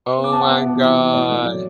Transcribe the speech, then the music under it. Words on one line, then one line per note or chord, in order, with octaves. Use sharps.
Oh my god.
B3
D6
B3 A5
F#5
B3 E5
B2
E3
E3
A2 D5
A3
F#3